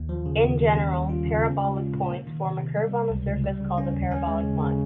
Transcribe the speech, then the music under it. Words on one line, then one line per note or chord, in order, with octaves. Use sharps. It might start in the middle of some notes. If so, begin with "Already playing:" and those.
In general, parabolic points form a curve on the surface called the "parabolic line".
Already playing: D#2
F3
C#3
D#2
D#2
C#4
G3
F4
C#3
C#4
G#3
F4
A#2
A#3
D#3
C3
C3
G3
C3
C#2
C#2
G3
C#3
C#4
D#2
C#4
G#3
C#3
C#3